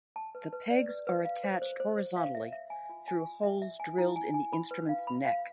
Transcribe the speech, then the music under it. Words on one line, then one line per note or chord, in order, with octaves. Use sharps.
The pegs are attached horizontally through holes drilled in the instrument's neck.
A5
B4
B4
D5
B4
B4
F5
C5
C5
C5
C5
F5
E5
E5
G#5
F4
G#5
F4
E5
E5
G#5
E4
G#5
G#5
B5
B4
F5
B5
F5